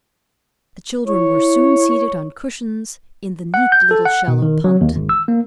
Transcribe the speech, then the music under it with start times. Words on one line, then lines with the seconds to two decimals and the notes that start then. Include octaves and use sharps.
The children were soon seated on cushions in the neat little shallow punt.
1.07 E4 C#5
3.54 F#5
3.72 G6
3.91 A4
4.05 F#5
4.28 B2
4.42 D#3
4.64 F#3
4.81 D#2
4.96 G#1
5.09 E6
5.28 A#3